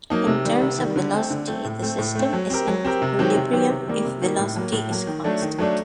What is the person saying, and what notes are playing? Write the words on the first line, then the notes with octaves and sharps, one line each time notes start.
In terms of velocity, the system is in equilibrium if velocity is constant.
F#3 A#3 D#4
C3
D#3 G3
C3
D#3
G3
D3
A3 C4
D3
A3 C4
A2
A3 C4
A2
A3 C4
F#3
C4 G4 A#4
F#3
C4 G4 A#4
C3
D#3 F#3 C4 G4
C3
D#3 F#3 C4 G4
C3
D#3 G3 A#3
C3
D#3 G3 A#3
A2
F#3 A#3
A2
F#3 A#3
D#3
F#3 A3 D4
D#3
F#3 A3 D4